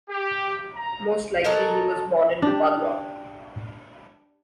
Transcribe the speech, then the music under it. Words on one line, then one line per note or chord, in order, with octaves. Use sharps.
Most likely he was born in Padua.
G4
A#5
F#3 A4 A#4 D#5
D4 G4